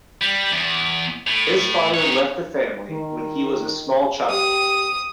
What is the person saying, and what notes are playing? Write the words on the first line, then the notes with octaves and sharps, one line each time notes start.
His father left the family when he was a small child.
G3
E2
A2
D#4 C#5
D#3
G4 D#6